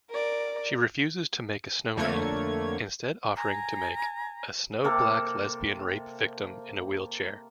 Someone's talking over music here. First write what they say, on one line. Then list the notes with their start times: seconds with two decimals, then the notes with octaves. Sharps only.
She refuses to make a snowman, instead offering to make a snow-black-lesbian-rape-victim-in-a-wheelchair.
0.10 A#4 D5
1.97 F2 D3 A3 A#3 C#5 G#6
3.36 G#5 A#5
4.84 C3 A#3 A4